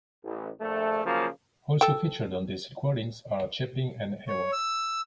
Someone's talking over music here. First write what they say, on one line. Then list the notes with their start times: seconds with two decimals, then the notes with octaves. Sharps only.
Also featured on these recordings are Chaplin and Hayward.
0.24 A1
0.61 A#1 A3
1.05 C#3 F3 F#3 A#3
1.81 A4 G5
4.28 C#5
4.53 E6